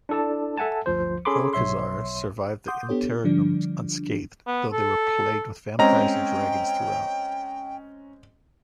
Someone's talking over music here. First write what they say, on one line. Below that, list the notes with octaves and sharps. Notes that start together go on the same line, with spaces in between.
Erlkazar survived the Interregnum unscathed, though they were plagued with vampires and dragons throughout.
D4 E4 A4 D5 A5
A4 E5 F#5 G#5 A5
G1 D2 F3 C5
C#4 G#4 A4 B5 C6 D6
B1 C#5 E5 C6
F#5 C6 D6 D#6 G6
B3 D4 G4 A4 C#5
D3 F3 G3 D4
B3
A4
G#3 C4 C#4 D#5 G5 A#5